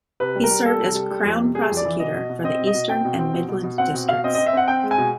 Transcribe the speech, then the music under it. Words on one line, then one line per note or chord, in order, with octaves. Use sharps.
He served as crown prosecutor for the Eastern and Midland Districts.
C3 B4
G3
A#4
G3
G3 A4
C3
G3
G3
F2
C3
G3 G#4
F2
D5
E3
B2 D#5
B2
B2
C4 D#5
B2
D#5
B2
C4 G5
B2
C4
B2
B2
B2
C4 F#5
B2
B2 F5
C4 D#5
D#5
C4
E5
C4 F#5
C4 G5
G#3
G#5
B2